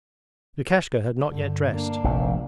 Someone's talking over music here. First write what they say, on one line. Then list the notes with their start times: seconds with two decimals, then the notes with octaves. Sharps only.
Lukashka had not yet dressed.
1.31 G2 D3
1.70 A#3 D4
2.04 F1 A#1 C3